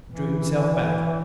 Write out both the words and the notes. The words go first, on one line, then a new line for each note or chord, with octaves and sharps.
Drew himself back.
E3